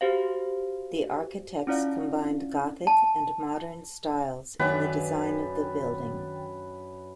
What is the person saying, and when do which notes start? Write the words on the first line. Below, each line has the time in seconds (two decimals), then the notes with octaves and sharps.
The architects combined Gothic and modern styles in the design of the building.
0.01 F#4 G4 C5 F5
1.67 C#4 E4 F4 D5 F5
2.87 A5
4.59 F#2 D#3 D4 B4 G5 A6